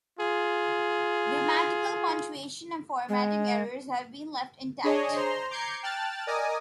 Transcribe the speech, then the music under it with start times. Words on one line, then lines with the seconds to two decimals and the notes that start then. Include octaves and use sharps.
Grammatical, punctuation and formatting errors have been left intact.
0.19 F4 G#4
3.09 G#3
4.84 D4 G#4 C#5 D#5
5.16 C5 A#5 C6
5.50 A#5 D6 G6 G#6 C7 C#7
5.83 G5 A5 F6 F#6 A6
6.27 A#4 D5 D#5 G#5 D#6